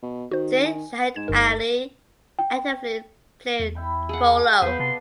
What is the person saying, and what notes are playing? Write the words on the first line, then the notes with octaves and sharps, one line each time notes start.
Syed Shahid Ali actively played polo.
B2
D#3 F#4 C5
G#5
G#2 G#6 E7
G1 G2 A#4
G5
E2
E4 G5 B5
G#4 A4 F5 F#5
E2 B3 B4 C5
C3 D4 A5 C6